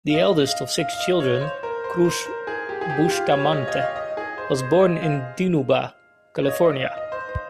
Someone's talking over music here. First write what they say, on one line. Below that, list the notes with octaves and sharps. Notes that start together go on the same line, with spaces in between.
The eldest of six children, Cruz Bustamante was born in Dinuba, California.
F5
D#5
F5
F5
F5
D#5
C#5
C5
A#4
C5
C5
A#4
G#4
G4
G#4
G4
G4
F4
C#5
D#5
D#5
F5
D#5
G#4
C5
C5
D#5
F5
C#5
D#5
D#5
F5
D#5
C5
C5